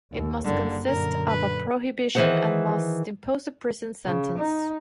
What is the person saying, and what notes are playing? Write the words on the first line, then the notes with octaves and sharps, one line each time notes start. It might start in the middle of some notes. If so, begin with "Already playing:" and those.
It must consist of a prohibition and must impose a prison sentence.
D#2
F#1 D3 G3 A#3
F#2 A#2 D3 A#4
B4
D#3 E3 A3 G#4 C5 F#5
C#3
D#4